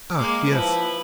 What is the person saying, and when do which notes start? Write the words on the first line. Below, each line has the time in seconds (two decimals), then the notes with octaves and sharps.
Ah, yes!
0.17 G#3 A#3 D6
0.49 F3 E4 B4